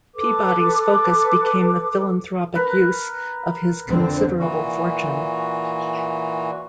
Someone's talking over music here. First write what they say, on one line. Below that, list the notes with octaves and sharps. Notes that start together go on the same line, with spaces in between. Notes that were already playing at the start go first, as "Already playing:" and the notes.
Peabody's focus became the philanthropic use of his considerable fortune.
A4 B4 D6
A#4 B4
F2 D3 C4
A#2 E3 F#4